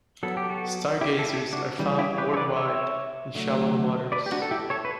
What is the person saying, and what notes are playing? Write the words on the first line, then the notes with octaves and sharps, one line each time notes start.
Stargazers are found worldwide in shallow waters.
F#3 B3 A4
G4
F#4 A4
E4 G4
A4
E4 G4
D4 F#4
C#3 E3 G3
E4 G4
G4 B4
C#5
B4 D5
C#5 E5
D3 F#3 A3
B4 D5
G4
D4 F#4
A4
E4 G4
A4 C#5
B4